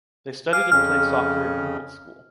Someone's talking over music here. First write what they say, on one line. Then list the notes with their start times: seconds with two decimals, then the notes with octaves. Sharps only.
They studied and played soccer in Humboldt school.
0.53 F5 G#5 D6 F6
0.72 F2 C#3 C#4 F6